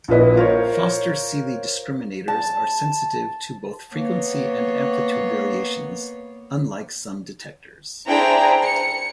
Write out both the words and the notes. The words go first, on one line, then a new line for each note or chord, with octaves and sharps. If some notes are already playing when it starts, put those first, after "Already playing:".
Foster-Seeley discriminators are sensitive to both frequency and amplitude variations, unlike some detectors.
A#1 A#2 E4 B4 D#5
F4 A#4 C5 C#5
A5
A#3 B3 C#5
D4 E4 G#4 C5 G5 A#5
C#7